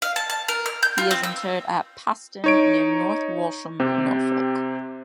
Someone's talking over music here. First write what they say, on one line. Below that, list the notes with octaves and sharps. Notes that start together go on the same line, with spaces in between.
He is interred at Paston, near North Walsham, Norfolk.
F5
A5
A5
A#4
F6
G6
F4
C4
E6
D#4 C#5 D7
C3 C4 G4